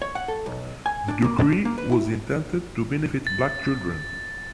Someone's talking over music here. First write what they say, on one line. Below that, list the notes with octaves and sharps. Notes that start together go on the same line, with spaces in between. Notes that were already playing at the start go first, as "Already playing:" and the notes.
The decree was intended to benefit black children.
C#5
F#5
A4
B1
G#5
D4
A#3
D4
A#3
B4
E4
A6